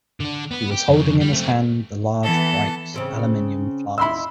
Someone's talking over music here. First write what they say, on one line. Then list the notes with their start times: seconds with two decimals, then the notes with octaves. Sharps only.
He was holding in his hand the large, bright aluminium flask.
0.20 D3 D4
0.51 B3 B4
0.71 G4
0.88 F2 C#3
1.20 G3
1.33 A3 C4
2.23 E3 B3 A4
2.94 C#3 C4 C#4
3.98 D#2 E4 B5 C6 E6